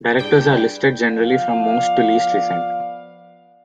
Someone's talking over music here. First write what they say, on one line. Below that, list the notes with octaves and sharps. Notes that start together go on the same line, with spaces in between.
Directors are listed generally from most to least recent.
G2 E4 G#4 D5 G5
F3 B3 D5 F5